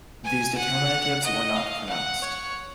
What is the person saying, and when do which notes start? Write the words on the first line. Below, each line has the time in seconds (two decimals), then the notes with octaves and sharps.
These determinatives were not pronounced.
0.24 G#5
0.57 F#5
1.24 D#5
1.56 F5
1.89 F#5
2.22 C#5